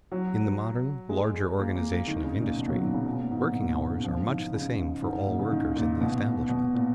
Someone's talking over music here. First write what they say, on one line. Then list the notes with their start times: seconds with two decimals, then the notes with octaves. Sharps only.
In the modern larger organization of industry, working hours are much the same for all workers in the establishment.
0.12 F#3
1.09 G#3
1.59 A#3
1.76 A#3
1.92 A#3
2.08 D#3
2.24 C#3
2.41 A#2
2.57 B2
2.69 F#3
2.82 D#3
2.94 C#3
3.06 B2
3.19 A#2
3.31 G#2
3.43 A#2
3.55 A#2
3.72 B2
3.88 C#3
4.04 F3
4.28 D#3
4.53 C#3
5.02 G#2
5.27 A#2
5.39 C#3
5.51 D#3
5.76 A#2
6.01 B2
6.49 B2
6.75 A#2